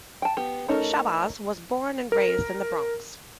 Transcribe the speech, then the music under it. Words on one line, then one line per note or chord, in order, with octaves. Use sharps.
Shabazz was born and raised in The Bronx.
G5 A5
B3 G4
A3 C#4 D#4 A4 A#4
A#4